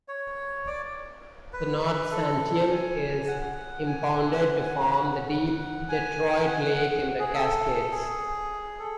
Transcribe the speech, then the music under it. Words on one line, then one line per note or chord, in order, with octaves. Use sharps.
The North Santiam is impounded to form the deep Detroit Lake in the Cascades.
C#5
D5
B4
A4
G#5
F#5
F#5
G#5
F#5
G#5
F#5
F#5
G#5
F#5
G#5
F#5
G#4
A4
G#4
A4